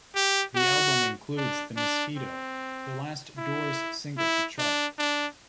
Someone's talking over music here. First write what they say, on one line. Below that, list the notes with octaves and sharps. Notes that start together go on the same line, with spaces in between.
The album includes "The Mosquito", the last Doors single to chart.
G4
F#4
D4
D4
C4
E4
E4
D4
D4